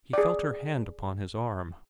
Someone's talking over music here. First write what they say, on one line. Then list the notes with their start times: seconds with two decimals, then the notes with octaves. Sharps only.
He felt her hand upon his arm.
0.13 G#4 D5